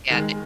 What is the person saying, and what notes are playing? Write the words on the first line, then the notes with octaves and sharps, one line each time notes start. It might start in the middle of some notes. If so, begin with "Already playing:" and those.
Yea, they
D#3 G#3